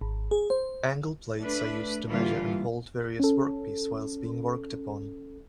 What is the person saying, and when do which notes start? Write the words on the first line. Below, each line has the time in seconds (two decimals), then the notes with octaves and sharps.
Angle plates are used to measure and hold various workpiece whilst being worked upon.
0.01 G#1
0.31 G#4
0.50 C5
1.39 A3 D4 B4
2.09 D3 E3 G3 A#3 F4
3.20 C#4 A4